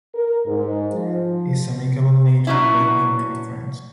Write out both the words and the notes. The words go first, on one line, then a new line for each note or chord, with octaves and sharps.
His amicable nature won him many friends.
A#4
G#2
F3
F#3 B3 C#4 D4 E4